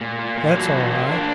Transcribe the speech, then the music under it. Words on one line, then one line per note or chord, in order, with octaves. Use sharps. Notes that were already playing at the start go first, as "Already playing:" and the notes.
That's all right.
A#2
A#3
A#2
F#3
A#2
A#3
D4